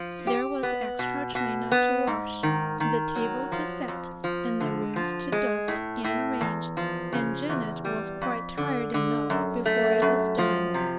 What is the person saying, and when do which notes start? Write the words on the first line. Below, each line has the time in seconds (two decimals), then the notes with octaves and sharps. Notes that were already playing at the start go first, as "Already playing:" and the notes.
There was extra china to wash, the table to set, and the rooms to dust and arrange, and Janet was quite tired enough before it was done.
Already playing: F3
0.27 G4
0.63 B3
0.99 B2
1.35 B2
1.72 B3
2.07 G#2
2.43 D#3
2.80 D#3
3.15 F#3
3.52 F3
3.88 F2
4.24 F3
4.60 D3
4.96 F3
5.32 G#3
5.68 A2
6.04 A2
6.41 E2
6.77 F3
7.12 C#3
7.49 E2
7.85 G3
8.21 F2
8.58 D3
8.94 D3
9.30 F#2
9.66 A3
10.02 F#2
10.38 F3
10.74 C3